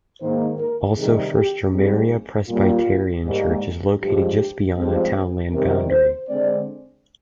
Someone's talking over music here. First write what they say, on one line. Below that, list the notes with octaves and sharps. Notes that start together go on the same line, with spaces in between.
Also First Dromara Presbyterian Church is located just beyond the townland boundary.
G#2 D#3 A#3 C5
A#4
C3 D#3 G3 G#4
G4
G#2 G3 C4
A#2 G3 A#3 F4
G#2 G3 A#3
G2 F3 G#3 G4
G2 F3 G#3 C4
C3 D#3 G3 C4 A#4
C5
D3 G#3 C4 D5